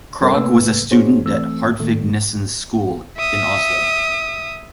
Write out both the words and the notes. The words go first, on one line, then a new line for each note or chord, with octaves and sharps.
Krag was a student at Hartvig Nissens skole in Oslo.
G2 G3 C#4 A4 A#4 C#5
C3 A3 A#3 B4 E6
D4 F#4 G#4 C5 C#5
E3 A3 C4 E6
A2 D#3 A3 A#3
E5 D#6